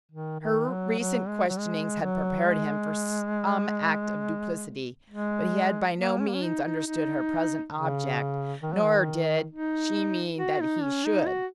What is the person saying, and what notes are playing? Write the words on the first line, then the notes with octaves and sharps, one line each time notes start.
Her recent questionings had prepared him for some act of duplicity, but he had by no means understood her present object, nor did she mean that he should.
D#3
D#3
F#3
F#3
G#3
F#3
G#3
F#3
G#3
G#3
A#3
C#4
A#3
C#4
D#4
D#4
D#4
C#3
D#3
F#3
D#3
D#4
F#4
D#4
C#4
D#4
F#4